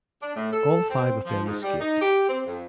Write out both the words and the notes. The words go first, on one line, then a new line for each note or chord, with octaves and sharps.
All five of them escaped.
D4
A2
A4
C4
F3
G#2
G3
D#4
G4
C4
F2